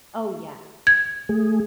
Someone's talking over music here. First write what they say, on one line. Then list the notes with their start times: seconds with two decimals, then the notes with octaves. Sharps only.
Oh, yeah.
0.87 G#6
1.29 A3 G#4